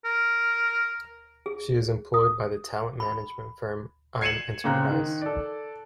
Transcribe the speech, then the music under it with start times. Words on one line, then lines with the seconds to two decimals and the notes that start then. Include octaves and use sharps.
She is employed by the talent management firm I'm Enterprise.
0.05 A#4
1.46 G#4
2.14 D#6
3.00 B5
4.21 G#6 C7 C#7 D#7 E7 F#7
4.64 A#2 C#3 C4 A#5 F#6
4.91 D#3
5.21 A4 D5